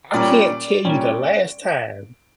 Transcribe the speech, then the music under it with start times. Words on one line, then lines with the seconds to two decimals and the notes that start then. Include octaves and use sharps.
I can't tell you the last time
0.13 A#2 G3 C#4 D5
0.85 A#2 G3 C#4